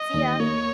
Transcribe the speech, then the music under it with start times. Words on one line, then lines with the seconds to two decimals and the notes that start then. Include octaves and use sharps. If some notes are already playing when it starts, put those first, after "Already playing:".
See ya!
Already playing: D#5
0.14 D#2
0.40 A#3 C#5